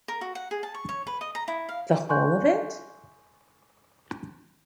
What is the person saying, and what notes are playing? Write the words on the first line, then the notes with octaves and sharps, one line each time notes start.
The whole of it?
A#4
F#4
F#5
G#4
A5
C#6
C#5
B4
D#5
A#5
E4
F5
G#5 C6 C#6 F#6 G6